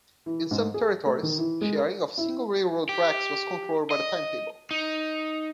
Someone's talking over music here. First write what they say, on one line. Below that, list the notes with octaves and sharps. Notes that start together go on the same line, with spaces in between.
In some territories, sharing of single railroad tracks was controlled by the timetable.
E3
G#2
G#4
A3
D#3
E3
G#3
A#4
E4
G4
D#5
D#4